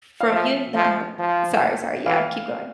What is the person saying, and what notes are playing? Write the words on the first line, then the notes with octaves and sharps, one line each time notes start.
from you not havi Sorry, sorry, yeah, keep going.
F5
F3 E5
F3
F3
E3 F5